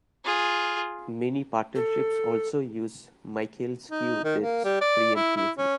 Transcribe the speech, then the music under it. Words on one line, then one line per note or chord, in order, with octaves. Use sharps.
Many partnerships also use Michaels Cue Bids preemptively.
F4 G#4
A4
D#4
D#3
A#3
G3
D5
E4
E4
C#4